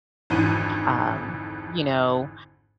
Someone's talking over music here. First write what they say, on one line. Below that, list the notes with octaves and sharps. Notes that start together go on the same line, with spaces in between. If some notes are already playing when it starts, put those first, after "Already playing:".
um, you know,
G#1 F2 G#2 D3 E3 D#7